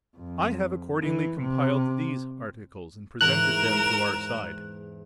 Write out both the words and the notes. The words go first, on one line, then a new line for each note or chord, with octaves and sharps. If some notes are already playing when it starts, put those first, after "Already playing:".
I have accordingly compiled these articles and presented them to our side.
F2
E3
C3
E2 G#2 E3 A#4 F#6 E7